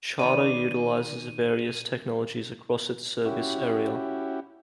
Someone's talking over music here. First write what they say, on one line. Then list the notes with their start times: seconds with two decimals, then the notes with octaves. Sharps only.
Charter utilizes various technologies across its service area.
0.19 D#3 B4 D5 D#7
3.25 C#4 E4 F#4 G4